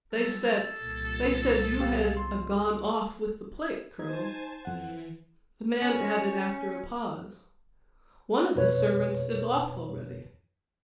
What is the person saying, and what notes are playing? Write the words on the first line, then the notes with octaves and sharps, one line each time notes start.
They said--they said you had gone off with the plate, Colonel"--the man added after a pause--"One of the servants is off already.
F#3 G3 A4
C2 A#2
G3 G4 F5
G1 C6
D#4 C5 G#5 A5 G#6
F2 E3 F#5
C#4
F2 B2 B4 C#5